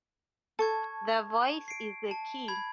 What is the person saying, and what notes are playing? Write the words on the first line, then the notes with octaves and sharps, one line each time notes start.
The voice is the key.
A4 A5 C#6 G#6
C7 D7
A5
B5 G#6